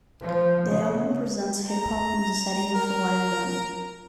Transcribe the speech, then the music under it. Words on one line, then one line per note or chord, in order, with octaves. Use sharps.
The album presents hip hop in the setting of a live band.
F3
C#3
A#5
A#4